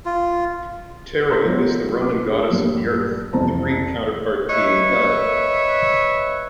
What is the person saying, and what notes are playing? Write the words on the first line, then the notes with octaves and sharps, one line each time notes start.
Terra is the Roman goddess of the Earth, the Greek counterpart being Gaia.
F4
A#5 C6 E6 G6 A#6 B6
F#3 G#3 B3 F4 C#5
D6
D4 G#4
G2 A#2 F#3
C2 F2 E3 C5 A5 A#5
B4 C#5 D#5 E5